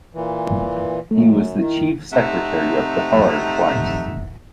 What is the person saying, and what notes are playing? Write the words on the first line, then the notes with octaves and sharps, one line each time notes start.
He was the chief secretary of Bihar twice.
A#2 E3
F#2 A3
D#3 E4
C3 A3 C4 D#4 E5 F#5